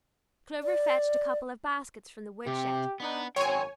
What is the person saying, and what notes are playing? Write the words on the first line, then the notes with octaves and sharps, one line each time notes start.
Clover fetched a couple of baskets from the wood-shed.
D5
C3 G4
B3 D4 D#4 B4
G#1 F#2 F#3 C#5 G5 G#5 C6